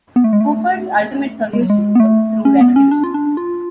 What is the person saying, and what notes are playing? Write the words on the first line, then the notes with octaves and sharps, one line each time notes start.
Cooper's ultimate solution was through revolution.
B3
A3
G#3
A3
G#3
F#3
G#3
B3
A3
C#4
B3
C#4
D4
F4
D4
F4